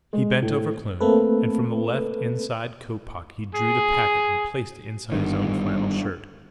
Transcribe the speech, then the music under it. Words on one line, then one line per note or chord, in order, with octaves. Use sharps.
He bent over Kloon and, from the left inside coat pocket, he drew the packet and placed it inside his own flannel shirt.
G#3
A2
A3 A#3 C4 A4 B4
G#4
G1 G2 D#3